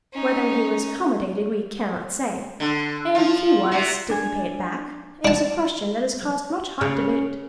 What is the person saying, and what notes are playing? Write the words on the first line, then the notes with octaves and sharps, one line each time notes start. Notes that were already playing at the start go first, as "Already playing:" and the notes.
Whether he was accommodated we can not say; and if he was, did he pay it back, is a question that has caused much hot debate.
C#4 D#4
D3
F3 F4
C3 F#4
D4 G#5
D4 A5
C#3